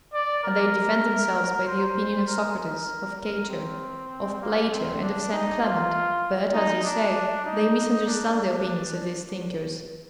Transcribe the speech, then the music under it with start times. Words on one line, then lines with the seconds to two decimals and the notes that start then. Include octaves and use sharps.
And they defend themselves by the opinion of Socrates, of Cato, of Plato, and of St. Clement; but, as you say, they misunderstand the opinions of these thinkers.
0.13 D5
0.44 A#4
1.67 C5
2.27 A#4
2.57 A#4
3.18 A#4
3.49 C4
4.41 A#3
4.71 C4
5.02 D4
5.32 D#4
5.62 F4
6.53 D#4
6.85 D4
7.45 D#4
8.06 D4
8.36 D4